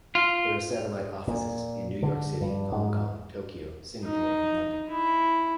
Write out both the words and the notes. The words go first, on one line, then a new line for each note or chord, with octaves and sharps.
There are satellite offices in New York City, Hong Kong, Tokyo, Singapore, and London.
F4
A#2
D3
G2
G#2
D#4
E4